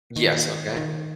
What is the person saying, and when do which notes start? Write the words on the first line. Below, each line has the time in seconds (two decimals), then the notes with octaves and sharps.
Yes, okay.
0.16 D#3
0.77 D#3